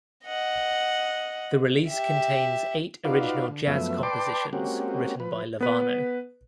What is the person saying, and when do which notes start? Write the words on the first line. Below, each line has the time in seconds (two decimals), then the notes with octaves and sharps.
The release contains eight original jazz compositions written by Lovano.
0.25 D#5 F#5
1.88 G4 E5
3.05 D#4 F4 F#4 B4 D5 F5
3.48 D3
3.67 F#2 F3 A3 B3 E5
4.03 B4 D5 G5 A5 C6 D6
4.53 G#3 A#3 C4 C#4 F#4 G4
5.20 F3 B4
5.61 B3 B4